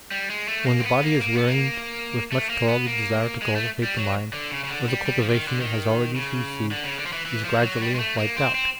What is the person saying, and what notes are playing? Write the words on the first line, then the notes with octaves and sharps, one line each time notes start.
When the body is wearied with much toil the desire to cultivate the mind, or the cultivation it has already received, is gradually wiped out.
G3
G#3
A3
A#3
C4
B3
A#3
A#3
B3
A#3
A3
A#3
B3
A#3
G#3
A3
G3
F#3
D3
C#3
C#3
D3
G3
G3
F3
D3
D#3
D3
D#3
C#3
D3
C#3
D3
F3
E3
E3
F3
F#3
G3
G#3
A3
A#3
C4
C4